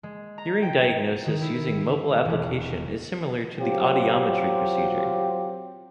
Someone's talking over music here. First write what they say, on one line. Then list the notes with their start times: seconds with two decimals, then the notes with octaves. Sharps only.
Hearing diagnosis using mobile application is similar to the audiometry procedure.
0.03 G#3
0.38 A#5
0.62 G5
1.26 D#3
1.42 E4
2.25 E1
3.60 F#3 C4 F4 G4